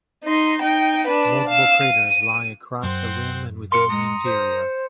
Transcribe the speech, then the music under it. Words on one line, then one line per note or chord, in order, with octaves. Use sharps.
Multiple craters lie across the rim and within the interior.
D#4 C6
D#4 G5
D4 B4
F5 E6
D#7
F#2 C4 C5 F#5
A#4 F5 C6 C#7
G#3 A#5 D#6
C5